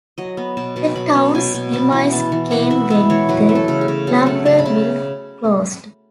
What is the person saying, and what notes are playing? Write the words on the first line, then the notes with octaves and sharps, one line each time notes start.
The town's demise came when the lumber mill closed.
F#3 D#5
B3
B2 A5
B2 A5
F#3 B5
B3
B2 G#5
B2
B3 A5
E3
B3 A5
E3
B3 F#5
E3 E5
B3 E5
E3 C#5
F#3 B4
A3
A4
C#3
G#4
C#3
F#3 A4
A3 F#5
C#3 A5
B5
C#3 A5